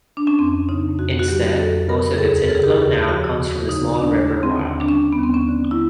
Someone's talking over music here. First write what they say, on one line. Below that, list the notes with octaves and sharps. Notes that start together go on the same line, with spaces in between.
Instead, most of its inflow now comes from the small river Wild.
D4
C#4
F2 C4
C#3 D#4
F2 F#4
F#4
F#3 G4
F2 A4
C#3 A#4
G#4
D#2 A4
A#4
C#3 A4
G#4
G4
D#2
F3 F#4
D#2
C#3 D#4
D#2 D4
D3
C4
D#2
D4
G3 C#4
B3
D#2
C4
C#4
D3
E4